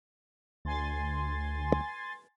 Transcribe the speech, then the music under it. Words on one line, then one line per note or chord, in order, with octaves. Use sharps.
Sometimes several towns united to hold one in common.
D2 G#5 C6 A6